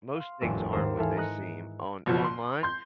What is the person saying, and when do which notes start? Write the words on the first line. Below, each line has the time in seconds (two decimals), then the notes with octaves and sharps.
most things aren't what they seem on online.
0.16 F5 C6
0.41 D#1 A1 F2 D4 E6 D7
0.72 D#2 G#2 C4 C5 A#5 E6
0.98 G#2 E3 A4 E5 F5 G#5
1.16 D#5 A#5 D#6 F#6 A#6 C#7
2.06 F#1 B2 F3
2.24 C6
2.63 C6 G6